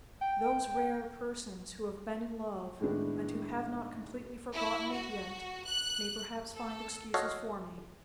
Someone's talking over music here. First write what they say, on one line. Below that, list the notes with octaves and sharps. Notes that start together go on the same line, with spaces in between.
Those rare persons who have been in love, and who have not completely forgotten it yet, may perhaps find excuses for me.
G5
A2 D#3 G#3 A3 B3 D4
E4
F#4
F#6
A4
F4 F#4 A4 C#5 D#5 F5